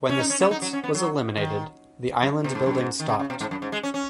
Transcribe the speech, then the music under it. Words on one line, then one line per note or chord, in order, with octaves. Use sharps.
When the silt was eliminated, the island-building stopped.
C#4
D#4
C#4
B3
D#4
F#3
C#4
B3
F#3
D#3
F#2
B2
G#2
F#2
G#2
D#3
C#3
C#3
B2
G#2
F#2
G#2
G#3
C#4
C#4